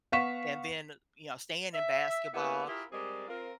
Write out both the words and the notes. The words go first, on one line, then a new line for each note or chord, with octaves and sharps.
and then, uh, you know, staying in basketball,
B3 F5 F#5 C#6 B6 E7
E5
A#3 B3 E4 G4 B4 E5
E4 F4 G4 G#4 A#4
G3 G#3 C4 G#4 A#4 D5
C4 F4 A#4